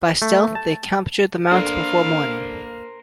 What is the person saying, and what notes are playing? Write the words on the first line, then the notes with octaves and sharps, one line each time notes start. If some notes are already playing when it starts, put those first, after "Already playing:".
By stealth, they captured the mounts before morning.
A3
A5
A#3 D4 A4 A#4 C5 F5